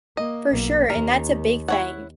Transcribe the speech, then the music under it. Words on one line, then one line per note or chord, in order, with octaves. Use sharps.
For sure, and that's a big thing.
A#3 D#5
B1 A#3
D#2 A#4
E4 C#5 F#5